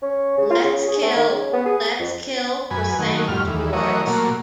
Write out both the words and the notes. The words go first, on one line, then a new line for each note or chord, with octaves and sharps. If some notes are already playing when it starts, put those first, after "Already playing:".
Let's kill, let's kill", "for Saint George!
C#4
C#3
F4
C#3
G#4
A3
D#3
C#3
B3
G#4
F2
F#2 B4 G#5
D#3 F#3 A3
F2 A2 G3 F6
D#2 E3
E3 F#3 A3 A#4 C#5 D#5
A#2 F#3 A3 A#3